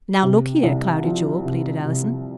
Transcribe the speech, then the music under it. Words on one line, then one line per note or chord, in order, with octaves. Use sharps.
"Now, look here, Cloudy Jewel," pleaded Allison.
C3
C2
F3
C3
C3